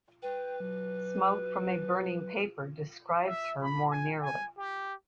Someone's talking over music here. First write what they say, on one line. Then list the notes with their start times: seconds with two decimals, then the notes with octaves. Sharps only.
Smoke from a burning paper describes her more nearly.
0.22 B4 G5
0.60 F#3
3.25 E5
3.61 B5
3.91 G#5
4.21 G#5
4.58 G4